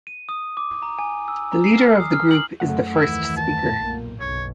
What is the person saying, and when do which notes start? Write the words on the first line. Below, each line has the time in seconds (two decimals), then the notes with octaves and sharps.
The leader of the group is the First Speaker.
0.07 D#7
0.29 D#6
0.57 D6
0.82 A#5
0.99 G#5
1.28 E6
1.52 A#5
1.64 C7
1.78 F6
2.00 D#6
2.13 F6
2.31 F#7
2.60 F#2 A3 F#5
2.95 D#2 D#3 E3 E4
3.37 A5
3.75 B1 A#2 A#3
4.21 F#1 B1 B2 C#5